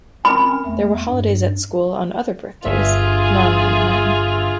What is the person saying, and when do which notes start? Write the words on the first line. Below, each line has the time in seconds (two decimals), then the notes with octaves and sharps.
There were holidays at school on other birthdays — none on mine.
0.25 C4 C#4 A#4 B5
0.65 E2 A3
1.09 G2
2.65 G1 G2 F4 G#4 E5